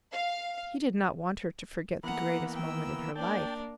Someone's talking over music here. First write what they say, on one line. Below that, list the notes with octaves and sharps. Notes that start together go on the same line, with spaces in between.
He did not want her to forget the greatest moment in her life.
F5
E3 A#3 B3 F#5 A#5
G5 E6
A#3 D4 A#4 G5 A5